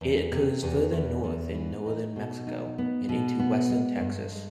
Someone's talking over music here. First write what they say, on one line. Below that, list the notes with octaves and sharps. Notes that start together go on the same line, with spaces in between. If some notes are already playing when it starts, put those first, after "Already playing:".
It occurs further north in northern Mexico, and into western Texas.
E2
C3
E2
E2
E2
E3
D#4
B2
D#4
B3
B2
B3
G#3
G2
G#3